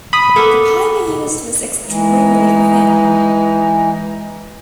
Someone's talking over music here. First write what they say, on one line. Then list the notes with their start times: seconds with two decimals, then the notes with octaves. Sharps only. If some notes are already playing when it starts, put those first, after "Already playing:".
The paper used was extremely thin.
0.13 B5 D#6
0.36 A#3 B3 A4
1.86 E3 G#3 D#4